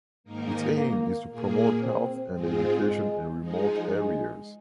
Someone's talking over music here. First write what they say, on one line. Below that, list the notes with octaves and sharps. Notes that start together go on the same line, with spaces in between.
Its aim is to promote health and education in remote areas.
G#2 D#3 A#3 D#4 A#4
A#3
A#2 A#3 G#4
C4
G#2 G#3 C4 F4 G#4
G#3
F3 G#3 D#4 G#4
G#3